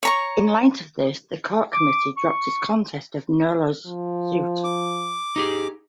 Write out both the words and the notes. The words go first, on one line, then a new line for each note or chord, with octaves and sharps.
In light of this, the court committee dropped its contest of Nolo's suit.
C#5 A#5 C#6
D6
C#6
F3
D6
D#4 G4 G#4